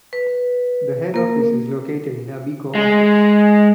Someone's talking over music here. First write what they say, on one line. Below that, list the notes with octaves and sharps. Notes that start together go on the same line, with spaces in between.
The head office is located in Abiko Office.
B4
A#3 A#4
G#3